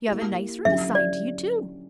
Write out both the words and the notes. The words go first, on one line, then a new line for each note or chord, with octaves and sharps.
You have a nice room assigned to you, too.
A#3 E4 G4
D3 F#3 C#4 E4 G4 E5
D5